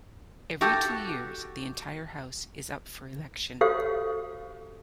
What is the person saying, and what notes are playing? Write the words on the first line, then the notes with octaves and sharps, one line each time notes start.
Every two years, the entire House is up for election.
F#4 G4 A4
F#4 G4 A4 C5 C#5 F5